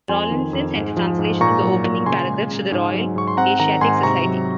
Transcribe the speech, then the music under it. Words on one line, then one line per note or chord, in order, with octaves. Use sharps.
Rawlinson sent a translation of the opening paragraphs to the Royal Asiatic Society.
F2 G#5 C6
D#3
F2
G#2
F3
G#2
A#2 A#5 C#6
F#3
A#2
C#3 G#5 C6
G#3
C#3
G#2
F#3
G#2 C#6
C6
C4 F#5 A#5
D#3 F#5 A#5
G#2 G#5 C6
C3 A#5 C#6
F#3